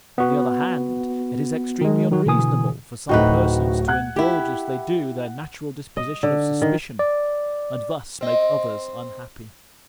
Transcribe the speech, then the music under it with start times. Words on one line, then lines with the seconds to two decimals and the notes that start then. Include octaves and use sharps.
On the other hand, it is extremely unreasonable for some persons to indulge as they do, their natural disposition of suspicion, and thus make others unhappy.
0.18 B3 F#4
1.81 D#3 G#3
2.11 D#3 F#3 F#4
2.26 B2 D3 E3 G#5 D#6
3.09 D1 A2 C4 D#4 F#4 B4
3.88 F#5 F#6 G#6
4.16 E4 G4
5.97 D#5
6.23 D3
6.62 D#3
6.99 D5
8.21 C4 D#5